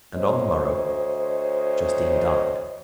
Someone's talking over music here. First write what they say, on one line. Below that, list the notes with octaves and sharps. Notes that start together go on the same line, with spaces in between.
And on the morrow Justine died.
D2 C5 C#5 D#5